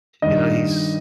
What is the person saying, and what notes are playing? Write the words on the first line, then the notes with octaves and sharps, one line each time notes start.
you know, he's,
G2 D#3 D#5